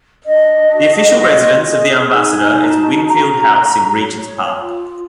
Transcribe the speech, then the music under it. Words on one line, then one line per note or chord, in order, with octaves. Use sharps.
The official residence of the ambassador is Winfield House in Regent's Park.
D4 D#5
F#4
F4
G#4
D#4 G#5
F#4 A5
C#4 A#5
F#4
C#5
F4